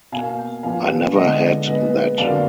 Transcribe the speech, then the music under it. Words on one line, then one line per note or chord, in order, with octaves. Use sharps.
I never had that.
B2 A#3 F5 G#5
A#2 F3 B3 F5 G#5
D3 G#3 B3 D#5 F#5
A#2 G#3 B3 B4 D#5
F2 D3 F#3 A#3 D5 F5